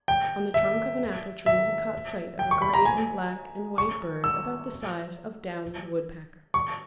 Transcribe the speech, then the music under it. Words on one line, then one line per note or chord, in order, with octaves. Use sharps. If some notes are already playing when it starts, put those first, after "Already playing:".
On the trunk of an apple-tree he caught sight of a gray and black and white bird about the size of Downy the Woodpecker.
G5
E5
E5
G5
C#6
B5
A#5
G#5
C#6
E6
C#6